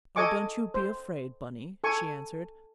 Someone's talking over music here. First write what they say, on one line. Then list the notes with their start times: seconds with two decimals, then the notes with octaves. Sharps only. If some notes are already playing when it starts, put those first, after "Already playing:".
"Oh, don't you be afraid, Bunny," she answered.
0.16 A4 D#5 G#5 C#6 D6
0.74 C5
1.84 A4 G#5 C#6